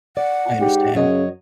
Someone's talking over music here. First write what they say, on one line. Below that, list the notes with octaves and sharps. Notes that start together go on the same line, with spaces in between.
I understand.
D5 F#5
G#2 G4
F#2 C#3 F#3 C#5 D#5